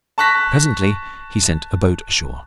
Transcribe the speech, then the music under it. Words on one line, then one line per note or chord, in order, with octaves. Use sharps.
Presently he sent a boat ashore.
A5 C#6 F#6 A#6 B6